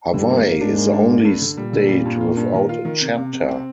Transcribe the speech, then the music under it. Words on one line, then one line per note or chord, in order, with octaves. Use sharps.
Hawaii is the only state without a chapter.
G2 D3 G3
A#3
A#3
G#2 G#3 D4
A#3
D4
A#3
G2
D3
A#2 G3 A#3
D3
G3
G2
F4
G2
D#3
F4
D#3
C3
C3
C3
C4